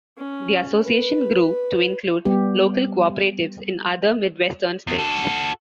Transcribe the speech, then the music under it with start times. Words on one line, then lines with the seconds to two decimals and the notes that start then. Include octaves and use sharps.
The association grew to include local cooperatives in other Midwestern states.
0.18 C#4
0.82 B4
2.25 G3 B3 G4
4.87 E2
4.99 F#4 A4